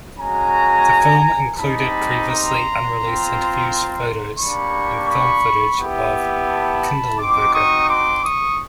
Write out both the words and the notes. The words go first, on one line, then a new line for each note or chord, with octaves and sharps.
The film included previously unreleased interviews, photos, and film footage of Kindelberger.
G#3 C#4 F#4 G#5 A#5
G3 C4 D#4 A5 B5
A#5 C6
C4 F4
A#3 D4 G4 B5 C#6
B5 C#6
B3 E4 G4
A5 B5
C4 D#4 F#4 C6 D6
C#6 D#6
C6 D6
C#6 D#6